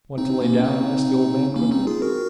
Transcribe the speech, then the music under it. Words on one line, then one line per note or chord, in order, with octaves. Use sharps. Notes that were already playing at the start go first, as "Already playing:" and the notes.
"Want to lay down?" asked the old man quickly.
C4 D#4
D#4
A#3 C#4
C4 D#4
A#3 C#4
C4 D#4
F4 G#4
F#4 A#4